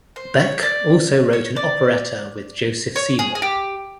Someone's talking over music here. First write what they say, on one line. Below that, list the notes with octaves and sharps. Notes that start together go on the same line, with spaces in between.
Beck also wrote an operetta with Joseph Seymour.
C5
C#5
D5
C#5
D5
C#5
G#4
G#4
G4